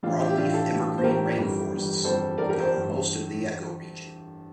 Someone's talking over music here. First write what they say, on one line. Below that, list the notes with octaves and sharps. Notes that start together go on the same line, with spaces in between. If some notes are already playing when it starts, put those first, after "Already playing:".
Broadleaf evergreen rain forests cover most of the ecoregion.
A1 A2 E3 D4 F4
E4 G4
G4
A1 A2 E3 D4 F4
F4 A4
A1 A2 E3
C5
A1 A2 E3 G4 A#4
G1 F2 E3 G3
G1 F2 E3 G3
G1 F2 E3 G3 A4 C5
G1 F2 E3 G3 A#4 D5
G4 A#4
A4 C5
G1 G2 E3